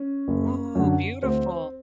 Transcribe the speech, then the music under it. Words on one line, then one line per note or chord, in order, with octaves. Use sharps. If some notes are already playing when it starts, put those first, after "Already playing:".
Ooh, beautiful!
Already playing: C#4
F#1
F#2 D3
D2 C4